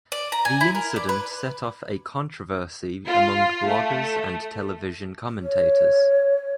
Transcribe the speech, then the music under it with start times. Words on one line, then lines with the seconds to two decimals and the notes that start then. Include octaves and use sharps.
The incident set off a controversy among bloggers and television commentators.
0.12 D5
0.32 A#5
0.45 G#5
0.61 E4
0.75 A#4
0.96 D5
1.09 B4
3.05 F4
3.66 A3
5.43 C#5